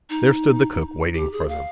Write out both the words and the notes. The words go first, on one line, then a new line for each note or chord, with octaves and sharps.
There stood the cook waiting for them.
D#4
G4
G#4
F5